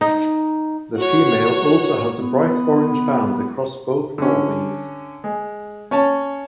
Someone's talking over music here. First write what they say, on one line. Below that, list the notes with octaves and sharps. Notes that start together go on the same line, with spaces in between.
The female also has a bright orange band across both forewings.
D#4
F#4 C#5
B3
D3 C#4
G#3
C#4 C#5 A5